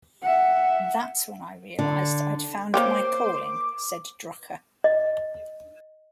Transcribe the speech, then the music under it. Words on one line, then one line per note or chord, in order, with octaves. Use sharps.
"That's when I realized I'd found my calling," said Drucker.
E5 F#5
D3
A#3 C5 C#5 G5 D6
D#5